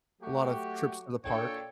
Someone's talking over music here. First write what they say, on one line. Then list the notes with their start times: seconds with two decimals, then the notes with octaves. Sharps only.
A lot of trips to the park.
0.21 F#3 A3 F#4 G4
1.24 A#2 D4 A4 C#5 G5